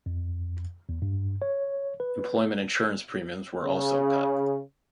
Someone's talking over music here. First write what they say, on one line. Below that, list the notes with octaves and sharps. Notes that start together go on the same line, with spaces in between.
Employment Insurance premiums were also cut.
F2
E2
G2
C#5
B4
C#3